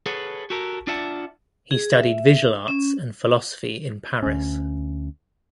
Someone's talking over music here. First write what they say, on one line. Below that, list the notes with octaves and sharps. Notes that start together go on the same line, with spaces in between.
He studied visual arts and philosophy in Paris.
G#4 A4 B4 C#5 F#5
F#4 G4 A4 A#4
D4 F4 D5 E5 F#5 A5
G#4
E5
C#4
D2 C#4